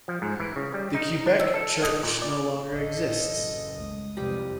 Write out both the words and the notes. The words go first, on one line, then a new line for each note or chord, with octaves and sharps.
The Quebec church no longer exists.
F3
G#2
E3
C#3
G3
D#4
D4
E5
A4
D#5
A#2
D5
A1 A4 D#5
F#1
C2 G#3 D#6
F2 C3 E3 G3 G4